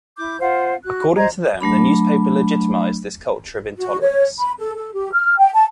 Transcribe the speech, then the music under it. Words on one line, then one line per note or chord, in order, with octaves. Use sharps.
According to them, the newspaper legitimized this culture of intolerance.
E4 D6 G6
F4 C5 F5 F#5
F#4 F#6
C5 D#5 A#5 G#6
F#3 A3 D4 B5
F#4
C#5
B5
A4
A4
G4
F6
G5
A5